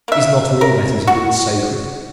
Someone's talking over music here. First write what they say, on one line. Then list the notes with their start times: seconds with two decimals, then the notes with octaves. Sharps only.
Is not all that is good sacred?
0.08 A#3 E5
0.61 A#4
1.07 F#4